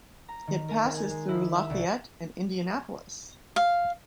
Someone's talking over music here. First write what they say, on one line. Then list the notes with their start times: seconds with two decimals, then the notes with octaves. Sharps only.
It passes through Lafayette and Indianapolis.
0.29 A#5
0.47 D#3
0.69 A#4
0.84 G#3
0.96 G#5
1.10 G#3
1.29 E4
1.55 E5
1.70 C2
3.56 F5